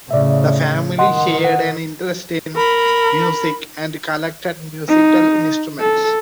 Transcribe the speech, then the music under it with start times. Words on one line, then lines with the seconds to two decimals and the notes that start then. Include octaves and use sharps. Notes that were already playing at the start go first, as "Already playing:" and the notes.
The family shared an interest in music and collected musical instruments.
0.11 A2 C#3 D5 E5
0.98 D#3 D#5 F#5 C6
1.44 F#5
2.56 A#4 B5
4.88 D#4
5.80 A4